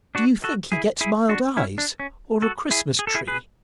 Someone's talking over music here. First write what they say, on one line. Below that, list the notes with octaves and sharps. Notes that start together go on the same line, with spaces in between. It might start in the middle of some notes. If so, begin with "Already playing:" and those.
Do you think he gets mild eyes, or a Christmas tree?
D4 F#4
F#4 A4
E4 G#4
E4 G#4
D4 F#4
C#4 E4
D4
C#4
F#4 A4
E4 G#4
G#4
A4
E4 G#4
G#4 B4